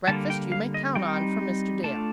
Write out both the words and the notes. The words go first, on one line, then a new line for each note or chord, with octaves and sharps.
Breakfast you may count on from Mr. Dale.
D3 G3 A#3 A5
G5
F5
D#5
G3 C4 D#4 G5
A3 D4 F4 A5